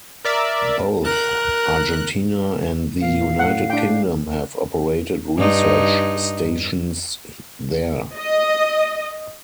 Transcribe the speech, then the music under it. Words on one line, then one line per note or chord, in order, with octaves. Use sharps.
Both Argentina and the United Kingdom have operated research stations there.
A#4 D5 E5
A#4 F#6
A#2 F5
A2 F#5
D4 G5
G2 D#4
D#5